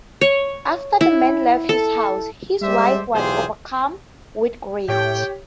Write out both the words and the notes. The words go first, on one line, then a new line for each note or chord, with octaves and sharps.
After the man left his house his wife was overcome with greed.
C#5
E4
A4
G3 G#3 C5 D5 E5
B1 E2 F4 G4 G#4 C5
A2 G4 C#5 G5